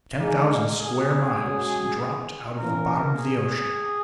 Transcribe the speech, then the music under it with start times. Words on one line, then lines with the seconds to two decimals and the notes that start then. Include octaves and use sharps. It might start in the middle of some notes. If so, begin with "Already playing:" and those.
Ten thousand square miles dropped out of the bottom of the ocean!
0.20 G#3 A#3 D#4 G#4
0.79 G#4
1.39 G#3 C#4 F#4
2.58 E3 A#3 C#4 A#4
3.18 G#4